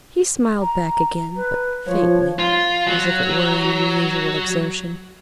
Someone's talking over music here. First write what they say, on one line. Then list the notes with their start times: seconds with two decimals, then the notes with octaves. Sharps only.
He smiled back again, but faintly, as if it were an unusual exertion.
0.61 A#5
1.36 B4
1.87 F3 C#5
2.39 F4
2.86 F#3